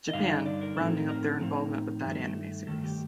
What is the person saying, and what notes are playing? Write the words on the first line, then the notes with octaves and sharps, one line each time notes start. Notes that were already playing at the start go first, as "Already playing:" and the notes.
Japan, rounding up their involvement with that anime series.
D#5
G2 D3 G3 D#4 F5
D#5
D5
A#4
A2 F3 C4 D#4 A4
A#4
A2 F3 C4 D#4
G2 D#3 A3
G2 D#3 A3 A4
G4